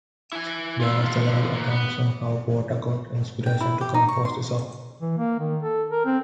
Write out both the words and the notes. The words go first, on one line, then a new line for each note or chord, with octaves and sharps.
There are several accounts on how Porter got inspiration to compose the song.
E4 G#5
F4 E5
D#3 F4
D#2 A#3
B3
G5
E4
G4
D#4
C#6
C6
E3
A#3
D#3
A4
A#4
C4